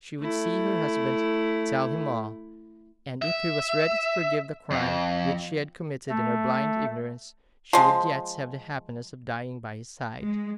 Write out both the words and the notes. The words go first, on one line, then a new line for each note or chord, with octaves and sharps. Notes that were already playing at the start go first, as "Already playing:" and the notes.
She would see her husband, tell him all, and, if he was ready to forgive the crime, which she had committed in her blind ignorance, she would yet have the happiness of dying by his side.
A3 E4
E5
F2
A3
F3 G#3
G#3